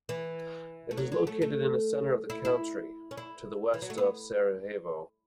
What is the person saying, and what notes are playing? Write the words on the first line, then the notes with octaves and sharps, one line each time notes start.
It is located in the center of the country, to the west of Sarajevo.
E3
A3
F#3
F#3
A3
A3
E4
E4
C#4
E4
E3
F#3
A3
B3